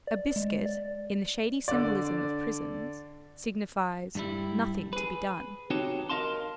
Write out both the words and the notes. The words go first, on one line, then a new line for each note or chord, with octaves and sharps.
A biscuit, in the shady symbolism of prisons, signifies: Nothing to be done.
D5
G#3
D5
D3 D5
G2 G3 E4
G#4 B4
C4 D#4 F#4 G4 C#5 A5
A#4 B4 D#5 F5 A5 C6